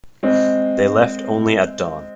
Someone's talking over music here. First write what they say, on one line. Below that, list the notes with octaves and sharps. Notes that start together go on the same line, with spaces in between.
They left only at dawn.
G#3 C4